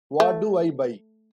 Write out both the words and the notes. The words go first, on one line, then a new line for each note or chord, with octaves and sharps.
What do I buy?
A3